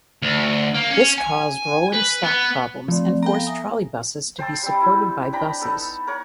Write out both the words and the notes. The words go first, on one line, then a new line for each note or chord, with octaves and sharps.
This caused rolling stock problems and forced trolleybuses to be supported by buses.
D2
A#3
C#4
G#5
B4
B3
F3 A3 C4 D5
B3 A4 F5 G5 A#5
A#6
E5 G#5 D#6
C5 G5 A5 E6
G3 C4
E4
D4 G5 A#5 B5
B3 D#4 A4
A#4 C#5 F#5